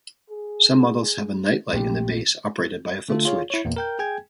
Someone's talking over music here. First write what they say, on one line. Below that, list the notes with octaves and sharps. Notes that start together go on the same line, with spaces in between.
Some models have a night light in the base operated by a foot switch.
G#4
A#1 A#2 A3 G4
D3 A3 F4 A4
F4 G#4 C#5 F5
E4 C#5
E2 A#2 A#3
A#4 G5 G6
G#4 G5 G#5 G#6